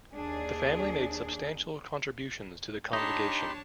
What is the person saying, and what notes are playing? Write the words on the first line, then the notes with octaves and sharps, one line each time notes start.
The family made substantial contributions to the congregation.
D#2 D4 G#4
D4 D#4 G4 C#5 A5 B5 C6